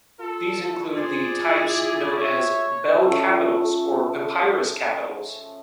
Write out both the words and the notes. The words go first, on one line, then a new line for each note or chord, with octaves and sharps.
These include the types known as "bell capitals" or "papyrus capitals".
F4 A4
G#4 C5 D5
E4
C#5 E5
F3 A3 C#4